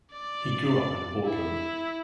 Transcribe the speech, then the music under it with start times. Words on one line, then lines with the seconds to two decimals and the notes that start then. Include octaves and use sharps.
He grew up in Portland.
0.12 D5
1.25 E4